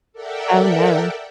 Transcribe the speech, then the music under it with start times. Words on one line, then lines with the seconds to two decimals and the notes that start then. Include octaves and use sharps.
Oh, no.
0.12 A4 A#4 D5 E5 F#5 G5